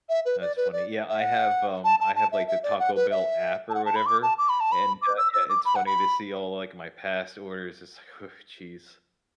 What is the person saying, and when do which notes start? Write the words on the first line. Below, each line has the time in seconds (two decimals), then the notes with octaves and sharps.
That's funny. Yeah, I have, um I have, like, the Taco Bell app, or whatever, and, uh, yeah, it's funny to see all, like, my past orders, it's like, "Oh, jeez."
0.09 E5
0.25 B4
0.41 D5
0.57 B4
0.73 D5
1.09 E5
1.21 F#5
1.84 A5
2.00 A5
2.16 A5
2.32 E5
2.48 E5
2.63 D5
2.79 F#5
2.96 B4
3.11 E5
3.70 A5
3.74 F#5
3.85 A5
3.96 B5
4.06 D6
4.23 A5
4.38 D6
4.49 B5
4.60 A5
4.72 B5
5.02 D6
5.17 E6
5.33 E6
5.49 D6
5.65 B5
5.76 F#5
5.86 B5